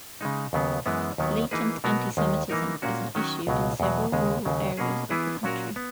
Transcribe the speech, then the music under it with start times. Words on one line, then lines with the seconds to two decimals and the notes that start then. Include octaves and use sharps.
Latent antisemitism is an issue in several rural areas of the country.
0.21 C#3 G#3 D#4
0.53 D#2 C#3 F#3 B3
0.86 F#2 E3 G#3 B3
1.18 D#2 D#3 F#3 B3
1.51 E3 A#3 D#4 G#4 B4
1.84 B2 F#3 B3 F#4 A#4
2.17 D#2 D#3 G#3
2.49 E3 A#3 D#4 A#4
2.82 A#2 A#3 C#4 F#4
3.15 D#3 F#3 C#4 F#4
3.47 C#2 B2 F#3
3.80 E2 B2 F#3
4.12 D#2 C#3 G#3
4.45 D#2 C#3 F#3
4.77 B2 A#3 C#4 G#4
5.10 E3 B3 E4 G#4 B4
5.43 A#2 F#3 C#4 F#4 A#4
5.76 B3